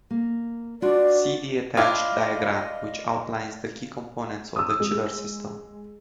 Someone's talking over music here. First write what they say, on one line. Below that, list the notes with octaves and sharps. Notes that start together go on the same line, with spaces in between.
See the attached diagram which outlines the key components of the chiller system.
A#3
D4 F4 F#4 D5
D4 E4 F4 D#5
D#6 E6
G#3